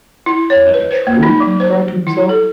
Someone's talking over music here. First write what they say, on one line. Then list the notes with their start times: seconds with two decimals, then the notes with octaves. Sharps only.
"But can that be true?" he cried to himself.
0.26 E4
0.50 C#5
0.74 B4
0.91 C5
1.07 A#3
1.23 D#4
1.40 F#3
1.60 C5
2.07 E4
2.29 A4